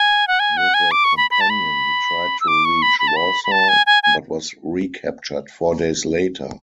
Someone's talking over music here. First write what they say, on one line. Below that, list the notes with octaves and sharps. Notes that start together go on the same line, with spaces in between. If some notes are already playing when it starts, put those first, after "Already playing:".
With a companion he tried to reach Warsaw, but was recaptured four days later.
Already playing: G#5
F#5
G#5
F#5
G#5
D6
C#6
B5
B5
A5
B5
E6
D6
C#6
B5
B5
A5
B5
B5
A5
G#5
G#5
G#5